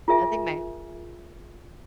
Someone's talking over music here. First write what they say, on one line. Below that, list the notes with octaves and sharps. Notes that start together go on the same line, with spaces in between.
I think my
F4 G#4 A#4 E5 G#5